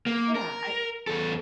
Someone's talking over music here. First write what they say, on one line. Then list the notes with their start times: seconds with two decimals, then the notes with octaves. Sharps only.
Yeah, I
0.06 A#3
0.35 A#4
1.07 E2 A4